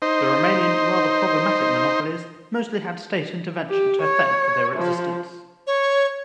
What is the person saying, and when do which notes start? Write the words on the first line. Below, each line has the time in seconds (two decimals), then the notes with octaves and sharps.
The remaining, rather problematic monopolies mostly had state intervention to thank for their existence.
0.02 D#4 C5
3.70 G4
4.02 C#5
4.76 F3
5.67 C#5